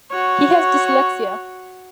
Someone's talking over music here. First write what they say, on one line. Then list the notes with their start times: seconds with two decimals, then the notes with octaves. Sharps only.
He has dyslexia.
0.11 F#4 C#5